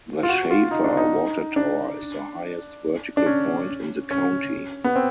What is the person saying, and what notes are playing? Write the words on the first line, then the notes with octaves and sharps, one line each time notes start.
The Shafer watertower is the highest vertical point in the county.
F4
F#4
F4
D#4
D4
D#4
D4
D4
C#4
C#4
B3
C4